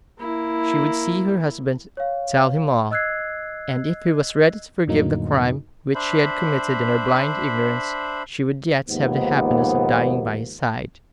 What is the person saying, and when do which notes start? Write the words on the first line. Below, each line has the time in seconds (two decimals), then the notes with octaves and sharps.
She would see her husband, tell him all, and, if he was ready to forgive the crime, which she had committed in her blind ignorance, she would yet have the happiness of dying by his side.
0.19 A#3 E4
1.97 C#5 F5
2.91 D#5 E6 F#6 G#6 C7
4.87 F2 A2 D3 F#3 A#3 D#4
5.95 D4 C5 E5 B5
8.89 D#2 G#2 F3 A#3 B3